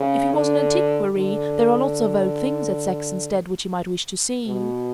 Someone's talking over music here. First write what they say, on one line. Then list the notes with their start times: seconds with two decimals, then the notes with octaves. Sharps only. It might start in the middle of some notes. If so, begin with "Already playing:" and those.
If he was an antiquary, there are lots of old things at Saxonsteade which he might wish to see.
Already playing: C#3
0.33 D3
1.16 D3
4.47 B2